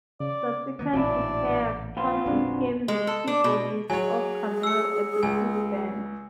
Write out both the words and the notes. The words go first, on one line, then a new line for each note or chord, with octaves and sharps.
Subsequent to Kayak, Ton became the keyboardist of Camel, a British band.
C#3 D5
D#3 A#3 B3
A1 A#2 F#3 D4 E4 D5
A#1 A#2 B3 F4 C5
F#1 B1 F#2 C4 D4
G#3
A4
D4
B2
F#3 G#4 C#5 G#5
E6 C#7
C#2 G#5